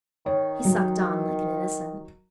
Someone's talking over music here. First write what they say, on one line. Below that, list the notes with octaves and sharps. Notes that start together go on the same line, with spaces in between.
He sucked on like an innocent.
D#3 C#5
F#3